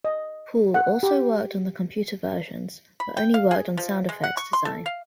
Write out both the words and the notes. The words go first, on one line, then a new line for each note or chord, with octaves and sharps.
Paul also worked on the computer versions but only worked on sound effects design.
D#5
F#5
G4
B5
G5
F5
G#4
F3
G#3
F#5
C#6
C6
A4
F5